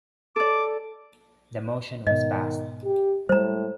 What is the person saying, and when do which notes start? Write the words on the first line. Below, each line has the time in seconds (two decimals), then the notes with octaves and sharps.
The motion was passed.
0.36 A4 D5 D6
2.07 G#2 B2 D#3 D#5
2.85 G4
3.29 A2 G3 G#3 C5 A#5